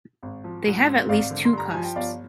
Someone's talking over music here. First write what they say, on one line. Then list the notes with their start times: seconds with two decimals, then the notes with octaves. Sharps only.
They have at least two cusps.
0.23 G#1
0.44 F3
0.66 G#2
0.88 C4
1.09 G#1 D5 F5
1.31 D3
1.45 C6
1.53 G2 A#5
1.71 F3 G#5
1.83 G5
1.96 G1 D5 F5